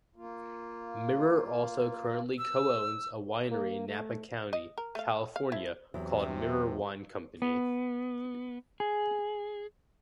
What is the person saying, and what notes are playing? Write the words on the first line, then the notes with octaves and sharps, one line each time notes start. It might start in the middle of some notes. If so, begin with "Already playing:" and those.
Mirer also currently co-owns a winery in Napa County, California called Mirror Wine Company.
A#3 F4
E6
A#3
A3
D#5
A#4
A3 F5
F5
F3 E4
E2 C3 F#3
B3
G#4